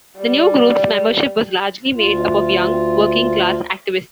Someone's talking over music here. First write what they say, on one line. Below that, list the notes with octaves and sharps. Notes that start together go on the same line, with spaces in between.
The new group's membership was largely made up of young, working class activists.
G3
D2 F4